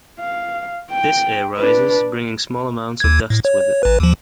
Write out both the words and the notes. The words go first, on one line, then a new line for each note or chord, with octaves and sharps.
This air rises, bringing small amounts of dust with it.
F5
G5
D4 B4
D#2 G#6
A2
C#5
C#5
A1 B4
D#2 F3